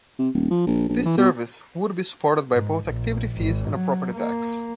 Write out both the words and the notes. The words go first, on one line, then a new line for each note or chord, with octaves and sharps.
This service would be supported by both activity fees and a property tax.
C3
D#1
F3
A#1
A#1
E3
B2
G#2
A#1
G#1
F#3
A#3